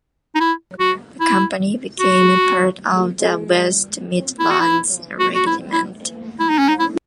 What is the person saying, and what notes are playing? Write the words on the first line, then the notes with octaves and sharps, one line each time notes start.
The company became part of the West Midlands Regiment.
D#4
E4
F#4
E4
F#4
E4
F#4
E4
F#4
F#4
E4
E4
E4
D#4
C#4
D#4
E4